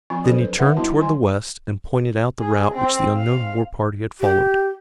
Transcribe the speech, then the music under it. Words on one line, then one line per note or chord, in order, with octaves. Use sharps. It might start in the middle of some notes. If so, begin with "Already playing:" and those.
Then he turned toward the west, and pointed out the route which the unknown war-party had followed.
F3 C4 F4 B5 C#6
F3 F#3 D4 A4 C5
B4
D4 D#4 B4 C#5 E5 F#5
G3 B3 E4 F#4 A5
D#3 E3 G3 G#5 C6
G#4
C4
F5
G4